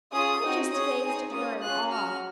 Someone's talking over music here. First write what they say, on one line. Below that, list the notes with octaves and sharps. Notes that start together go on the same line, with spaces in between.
I just gazed at her in awe.
C#4 F4 G#4 D#6
C4 D#4 F#4
C#4 G#4 D#6
C4 D#4 G#4
A#3 C#4 F4 D#6
C#4 F4 G#4 F#6
C#4 F#4 F6